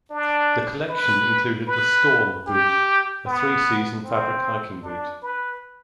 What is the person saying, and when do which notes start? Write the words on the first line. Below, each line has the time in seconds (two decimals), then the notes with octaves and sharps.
The collection included the "Storm" boot, a three-season fabric hiking boot.
0.11 D4
0.90 B4
1.68 B4
2.47 G4
3.26 B3
4.04 C4
4.83 D4
5.23 B4